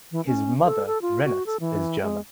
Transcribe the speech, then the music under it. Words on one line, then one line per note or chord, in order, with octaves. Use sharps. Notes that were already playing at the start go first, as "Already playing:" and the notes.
His mother, Renate, is German.
E3
C#4
A4
A4
F4
F#4
A4
E3
G#3